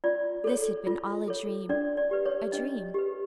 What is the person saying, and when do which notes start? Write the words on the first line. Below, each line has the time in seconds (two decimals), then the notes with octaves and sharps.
This had been all a dream--a dream.
0.04 F4 D5
0.44 A4 C#5
0.87 F4
1.28 A4 C#5
1.69 D4 D5
1.97 D5
2.11 G4 B4
2.26 C#5
2.52 D4 D#5
2.94 G4 B4